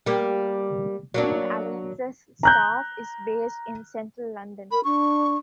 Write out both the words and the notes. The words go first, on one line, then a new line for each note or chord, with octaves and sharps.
Green Alliance's staff is based in central London.
G3 A#3
F#3 A#3 D4
A#5 F#6 G6
A#4 B5
D4 C#6